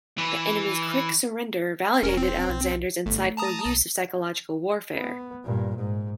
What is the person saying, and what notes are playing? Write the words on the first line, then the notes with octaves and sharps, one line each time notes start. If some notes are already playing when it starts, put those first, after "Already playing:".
The enemy's quick surrender validated Alexander's insightful use of psychological warfare.
E3 B4
E1 C#4 A#4
C4
B1
G1 A3
A5 A#5 D#6
B1
B3
G2 A#2
G#2